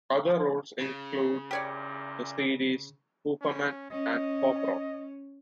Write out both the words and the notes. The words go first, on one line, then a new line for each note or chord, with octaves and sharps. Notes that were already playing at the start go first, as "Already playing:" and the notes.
Other roles include the series "Hooperman" and "Cop Rock".
C#3
E2 G2 A#2 G4 C#5 D5
C#4
C#4 D#5